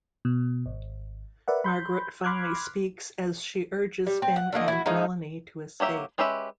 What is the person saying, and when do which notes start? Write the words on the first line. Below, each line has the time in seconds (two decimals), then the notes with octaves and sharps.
Margaret finally speaks as she urges Finn and Melanie to escape.
0.25 B2
0.66 G#1
1.48 A#4 B4 D5 E5 F#5
1.64 B5 C6 G6
2.24 B5 C6 D6 F6 F#6 G#6
4.07 G3
4.22 C4
4.36 F#5
4.52 D3 A3 A#3 D#5
4.68 E4 F#4
4.86 F3 G#3 A3 D#4
5.80 F#3 A#3 G4 E5
6.18 G#3 C#4 G4 B4 E5